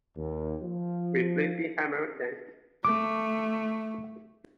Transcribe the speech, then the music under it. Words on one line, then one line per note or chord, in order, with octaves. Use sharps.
We flipping hammered them.
D#2
F3
A3 D6